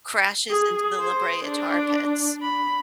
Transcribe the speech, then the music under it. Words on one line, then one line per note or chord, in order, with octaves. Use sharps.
crashes into the La Brea Tar Pits.
G#4
C5
D4
B5